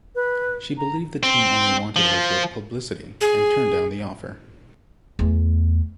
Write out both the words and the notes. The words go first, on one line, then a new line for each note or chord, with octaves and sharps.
She believed the team only wanted her for publicity and turned down the offer.
B4
A#5
C4
F3
G#4
E2 A3